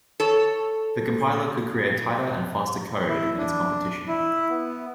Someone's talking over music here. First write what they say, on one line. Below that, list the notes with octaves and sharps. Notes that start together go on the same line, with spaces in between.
The compiler could create tighter and faster code than its competition.
A4 C#5
E4
D4
E4
B3